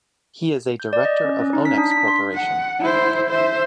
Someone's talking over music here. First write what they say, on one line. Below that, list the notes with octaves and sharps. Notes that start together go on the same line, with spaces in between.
He is a director of Onex Corporation.
G6
D5
D#5
C#4
C#4
D#4
B6
D4
B6
C6
F#5
E4 C5
C5 E5